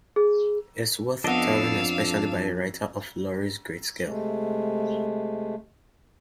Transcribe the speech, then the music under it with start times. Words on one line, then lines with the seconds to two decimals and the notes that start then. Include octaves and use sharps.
It's well worth telling, especially by a writer of Lowry's great skill.
0.16 G#4
1.24 F2 B3 D4 A4 D#5 F5 E6
4.04 C3 G#3 A3